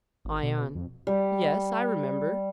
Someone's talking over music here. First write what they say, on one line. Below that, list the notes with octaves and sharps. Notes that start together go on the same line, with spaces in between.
ION: Yes, I remember.
G#1
B2
F2
G3